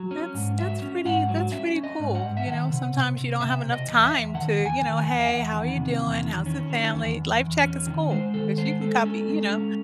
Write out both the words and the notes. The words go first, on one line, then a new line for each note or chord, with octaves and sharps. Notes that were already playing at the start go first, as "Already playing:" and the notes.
that's that's pretty that's pretty cool, you know? Sometimes you don't have enough time to, you know, "Hey, how are you doing? How's the family?" "Life check" is cool 'cause you can copy you know,
Already playing: F#3
C#4
G#2
F#3 E5
C#4
G#2 F#5
F#3
C#4 E5
C#4
D#5
G#2
F#5
G#2
E5
D#3 F#5
C3
C3
C3
C3 E5
C3
D#5
E2
E5
E2
D#3 F#5
E2
G#5
D#3
G#5
E2
E5
E2 F#5
D#3
C3
E2
D#3
C#4
D#3
E2
E2
E2
C#4
D#3
G#3 C5
D#3 A4
G#3 C5
G#3 A4
C#4 A4
G#3
C#4